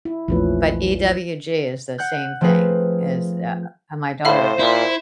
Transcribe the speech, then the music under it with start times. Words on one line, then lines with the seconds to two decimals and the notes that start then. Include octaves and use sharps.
But EWG is the same thing as, uh and my daughter
0.05 E4
0.28 A#1 E2 F3 A3 C#4 B4
1.98 F#5 F#6 G6
2.41 F3 A3 C4 G#4 A#4 B4
4.25 A2 C5 E5 F5 B5
4.59 A#2 E4